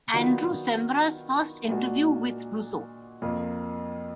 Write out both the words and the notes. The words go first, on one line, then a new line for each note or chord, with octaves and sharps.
Andrew Sciambra's first interview with Russo.
D#3 F#3 B3 D4 F4
A#2 G#3 D4 F#4
F2 F3 A#3 F4